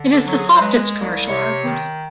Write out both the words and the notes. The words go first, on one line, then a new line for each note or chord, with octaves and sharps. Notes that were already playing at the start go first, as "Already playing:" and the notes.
It is the softest commercial hardwood.
Already playing: D3
A4
F#3
A4
G#4
C5
G#3 B4
C2
C3 C#5
D#3